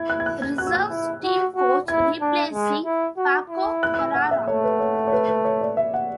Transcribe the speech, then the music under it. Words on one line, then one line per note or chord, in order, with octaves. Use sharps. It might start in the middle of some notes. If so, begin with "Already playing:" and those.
Reserves team coach, replacing Paco Herrera.
Already playing: E4 G#6
F#6
G#6
F#6
G#6
F#4 F#6
E6
F#6
E4
F#4
F#4
E4 G#6
D4
G#3
E4
F#4
E4
F#6
F#6
E6
F#5
E5
A3 C#5
B4
C#5
C#5
B4
B4
C#5
D5
E5
F#5